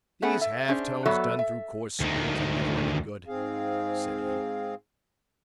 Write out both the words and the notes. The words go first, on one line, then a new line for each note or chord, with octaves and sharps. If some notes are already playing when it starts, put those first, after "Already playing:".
"These half-tones done through coarse screens are never any good," said he.
A3 B3 C#4 G#4 F#5
E5
C#4 D4 G#4 C5
F#3 B3 F#4 A4 D5 E5
E5
D2 D#3
G#2 C4 G#4 F5